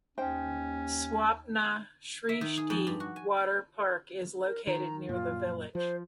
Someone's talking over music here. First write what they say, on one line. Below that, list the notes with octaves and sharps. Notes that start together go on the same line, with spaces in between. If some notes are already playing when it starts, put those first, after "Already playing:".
Swapna Shrishti Water Park is located near the village.
D#2 C#4 D#4 C5 G5
E5
D#3
G#4
F2
G2
F#4
G#5
A#4
D#3 A#5
F#2 A#2 F4
F3 C5